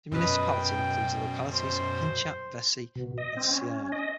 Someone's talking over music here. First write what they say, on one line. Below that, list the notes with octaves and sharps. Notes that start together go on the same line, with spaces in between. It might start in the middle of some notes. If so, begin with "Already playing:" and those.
The municipality includes the localities of Pinchat, Vessy and Sierne.
F#2 B2 B4 D#5
G5
C5
B2
D#5
C4
C#4
D#5